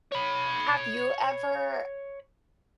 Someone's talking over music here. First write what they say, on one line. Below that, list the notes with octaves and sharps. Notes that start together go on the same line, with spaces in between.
Have you ever
C#5 B5